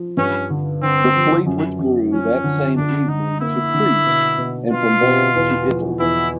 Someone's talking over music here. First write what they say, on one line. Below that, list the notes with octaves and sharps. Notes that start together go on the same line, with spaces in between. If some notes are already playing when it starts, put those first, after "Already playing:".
The fleet withdrew that same evening to Crete and from there to Italy.
Already playing: F3
G2 C#4
D3
D3 C4
F3
F#2
F#2
F3 C#4
D3
D3 D4
D3 D#4
A#3 E4
D3
B2
B2
B2 F4
B2
E2
F3
E2 E4